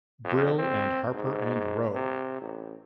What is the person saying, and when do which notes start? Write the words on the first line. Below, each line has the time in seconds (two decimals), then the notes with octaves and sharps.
Brill and Harper and Row.
0.25 F2
0.59 C4
1.15 G#2
1.94 C3
2.42 A1